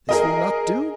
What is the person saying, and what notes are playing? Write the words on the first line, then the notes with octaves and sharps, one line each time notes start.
'This will not do.
G#4 A#4 D#5